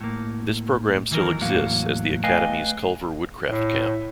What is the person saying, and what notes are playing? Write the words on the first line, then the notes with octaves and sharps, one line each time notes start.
This program still exists as the Academy's Culver Woodcraft Camp.
A2 A#3
D#3 E3 F#3 D#4 A#4
E2 A2 F#3 A#3 F5
A3 B4 D#5 F5 G5 G#5
A2